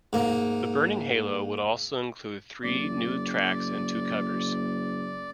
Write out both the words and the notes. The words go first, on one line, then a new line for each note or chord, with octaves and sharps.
"The Burning Halo" would also include three new tracks and two covers.
G#2 A#3
F#1 D5